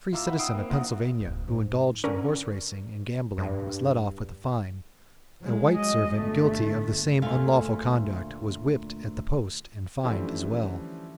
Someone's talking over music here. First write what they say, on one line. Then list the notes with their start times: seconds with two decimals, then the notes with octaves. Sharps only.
A free citizen of Pennsylvania who indulged in horse racing and gambling was let off with a fine; a white servant guilty of the same unlawful conduct was whipped at the post and fined as well.
0.12 C#2 E4 F4 A#5 D6 E6
0.27 D#4 E5 F#5 B5
0.39 F#5 G5 D#6 E6 C7 D7
0.54 A#3 C4
0.70 A#1 E4 F#5 A#5 D#6
1.20 D1 F4
1.48 G#2
2.04 D3 C#4 A#4
3.38 G2
5.39 F#3 G#3
5.75 D#5
6.16 G1 A3
7.22 D2 A#2 A3 F5 G#5
10.03 D3 E3 F3 G3 A3 C#4